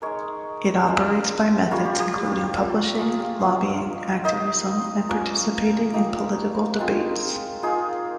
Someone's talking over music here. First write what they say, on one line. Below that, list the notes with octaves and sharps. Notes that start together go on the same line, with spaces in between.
It operates by methods including publishing, lobbying, activism and participating in political debates.
G#3 D#4 A#4 C#5
G#3 C#4 F4 C5 D#5
G3 A#3 F4 A#4 C#5
G4
G4
F4
A#3 F4
F4 G#4
G4
F3 A#3 C#4 C5 D#5
A#3 D#4 C5 D#5
F3 A#3 C#4 A#4 C#5
F3 A#3 D#4 G4 A#4
G#3 C4 F4
A#3 D#4 F4 G#4